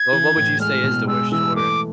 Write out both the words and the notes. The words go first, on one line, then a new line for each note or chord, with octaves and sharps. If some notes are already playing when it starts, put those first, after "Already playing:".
Well, what would you say is the worst chore?
Already playing: G#6
E3
A2
G#3 F6
B2
G#3 E6
E3 E6
A3 D6